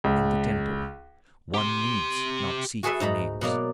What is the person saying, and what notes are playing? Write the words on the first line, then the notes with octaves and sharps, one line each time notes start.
In the Temple, one needs not seek for names.
C#2
G4 C6
F#4 G#4 A4 B4 E5
G#2 D#4 A#5 B5
B2 F#3 A#3 D5